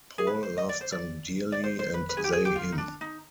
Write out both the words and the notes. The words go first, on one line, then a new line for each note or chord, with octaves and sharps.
Paul loved them dearly, and they him.
G#4
B4
C5
D#5
D5
C5
D5
D5
C5
C5
B4
B4
G#4
G4
G#4
G4
F4
D#4
D4
D#4